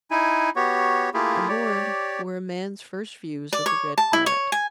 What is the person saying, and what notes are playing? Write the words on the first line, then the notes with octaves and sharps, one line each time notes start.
Aboard were man's first views of the red planet.
D#4 E4 G#5
B3 F#4 G4 C#5
A3 A#3 E4 F4 G4 G#4
G4 C#5 D5
D5
C#5
A5
E4
C#5
G#5